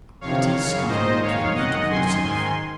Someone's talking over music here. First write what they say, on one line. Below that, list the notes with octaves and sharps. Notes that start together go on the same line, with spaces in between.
A pretty skylark you'll make of yourself!
F2 C3 D#3 C#5 F5
F#2 C#3
G#2 D#3 C5 D#5
G#2 D#3 C#5 F5
F#2 D#3 D#5 F#5
F#2 D#3 G#5 C6
G#2 D#3 G#5 C6